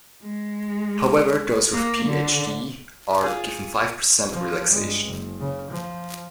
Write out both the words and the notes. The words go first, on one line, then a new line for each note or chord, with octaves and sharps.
However, those with Ph.D are given five percent relaxation.
G#3
A#3
D3
F4 G#4
F3
G2 G#3
F#1
C#3
F3